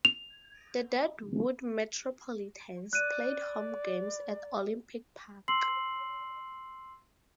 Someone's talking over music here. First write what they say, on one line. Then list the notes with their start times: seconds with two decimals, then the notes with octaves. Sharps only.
The Deadwood Metropolitans played home games at Olympic Park.
0.05 F7
2.93 D5 F#6 D#7
5.48 C6 E6 C7 F#7